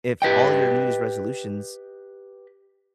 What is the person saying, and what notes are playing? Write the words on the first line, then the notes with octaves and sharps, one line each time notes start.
if all your New Year's resolutions
G4 B4 D#5 G5